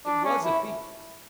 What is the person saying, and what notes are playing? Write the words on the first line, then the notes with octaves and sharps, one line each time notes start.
It was a feat.
D4
C#4
E4